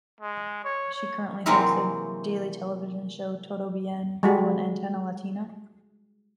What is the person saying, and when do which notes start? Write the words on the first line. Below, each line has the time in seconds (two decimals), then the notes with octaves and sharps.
She currently hosts a daily television show "Todo Bien" on Antena Latina.
0.21 G#3
0.65 C#5
0.95 C#5
1.46 C3 E3 F#3 G#3 A#3 C4
4.23 G3 G#3 F#4